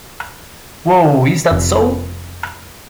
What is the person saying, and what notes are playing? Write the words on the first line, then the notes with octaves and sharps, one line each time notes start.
Wow Is That So?!
F1